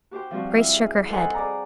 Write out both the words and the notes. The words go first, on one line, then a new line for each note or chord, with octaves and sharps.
Grace shook her head.
F#4 G4 C5 G5
F3 G3 C4 F#4
E4 F5
G#4
A4 C5 D#5 F#5 G#5 B5
G#4 D5 A#5